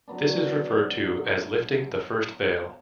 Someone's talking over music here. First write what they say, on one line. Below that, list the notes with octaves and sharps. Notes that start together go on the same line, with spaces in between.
This is referred to as lifting the first veil.
F#3 B3 D4